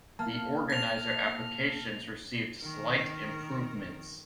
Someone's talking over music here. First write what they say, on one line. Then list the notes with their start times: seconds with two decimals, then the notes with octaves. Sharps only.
The organizer applications received slight improvements.
0.19 A#3 A5 F6
0.70 A#6 F7
2.62 D#3 A#4